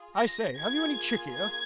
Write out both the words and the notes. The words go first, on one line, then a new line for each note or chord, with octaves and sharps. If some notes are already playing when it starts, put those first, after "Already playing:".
I say, have you any chikhir?
Already playing: F4 G#4
A#6
A#3 F4 G#4 G#6
G#6